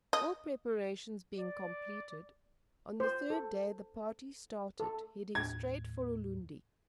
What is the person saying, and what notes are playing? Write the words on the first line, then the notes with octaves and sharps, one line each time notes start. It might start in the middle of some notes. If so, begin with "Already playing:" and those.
All preparations being completed, on the third day the party started, heading straight for Ulundi.
D#5
D5
C5
A4
A4
D#2 A2 G#6